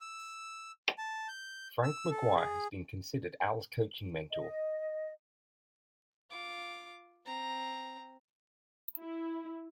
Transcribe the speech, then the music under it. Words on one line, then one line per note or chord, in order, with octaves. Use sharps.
Frank McGuire has been considered Al's coaching mentor.
E6
A5
G6
E6
A4
G#4
D#5
F4 D6
C4 A#5
E4